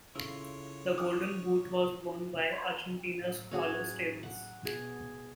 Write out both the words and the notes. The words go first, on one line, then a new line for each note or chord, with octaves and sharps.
The Golden Boot was won by Argentina's Carlos Tevez.
C#3 E4 F4 A4 C#5 C6
F3 D6 D#6 F6 F#6
A2 F#3
C#4 F#4 G#4
F#5
B2 G#4